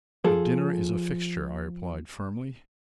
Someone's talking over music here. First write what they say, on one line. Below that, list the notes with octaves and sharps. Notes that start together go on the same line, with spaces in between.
"The dinner is a fixture," I replied firmly.
F3 G#4 A4